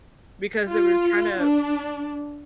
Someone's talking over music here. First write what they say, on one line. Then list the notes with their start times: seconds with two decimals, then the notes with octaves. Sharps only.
because they were tryna
0.69 F4
1.41 D4